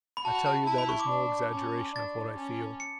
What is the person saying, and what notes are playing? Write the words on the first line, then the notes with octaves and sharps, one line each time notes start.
I tell you that is no exaggeration of what I feel.
B5
F#4 A5
B5
A5
E4 A5
B5
C#6
D6
D4
C#4
D4 A6
C#4
C#7